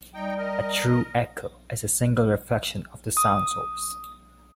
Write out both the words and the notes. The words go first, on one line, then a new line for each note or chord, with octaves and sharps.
A true echo is a single reflection of the sound source.
G3 D#4 G5
A#4 D#5
D#6